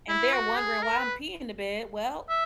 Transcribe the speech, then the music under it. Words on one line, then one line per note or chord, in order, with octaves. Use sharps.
and they're wondering why I'm peeing in the bed. Well,
E4
F#4
G#4
A#4
B4
E5